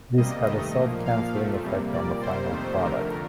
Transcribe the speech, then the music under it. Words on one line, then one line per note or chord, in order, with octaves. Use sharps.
This had a self-canceling effect on the final product.
C3 G3 A#3 D#5
G2 D#3 A3 D#5
A#2 F3 A#3
A#2 F3 A#3 F5
A#2 F3 A3
C3 G3 A#3
A#2 G3 A#3 D5
C3 G3 A#3 C5
F2 C3 D#3 A3
F2 D3 A3 A#4